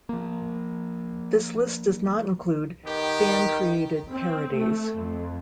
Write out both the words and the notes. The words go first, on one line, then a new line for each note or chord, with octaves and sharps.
This list does not include fan created parodies.
F3 A#3
D#3 B3 G4
C4
A3
F2